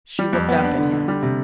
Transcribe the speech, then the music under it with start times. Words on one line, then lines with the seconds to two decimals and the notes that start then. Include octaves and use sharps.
She looked up at him.
0.19 G3
0.33 F2
0.49 B3
0.63 D4
0.78 D3
0.93 D3
1.08 G3
1.22 C3